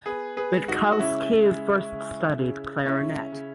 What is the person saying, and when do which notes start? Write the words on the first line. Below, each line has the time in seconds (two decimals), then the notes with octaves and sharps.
Witkowski first studied clarinet.
0.06 B3 G#4 B4
0.37 G#4 B4
0.52 G#3
0.68 D#4 F#4
0.92 F#4
0.99 C#3 C#4 E4
1.46 G#3
1.93 C#3
2.39 C#3
2.85 C#3 C#4 E4
3.32 C#3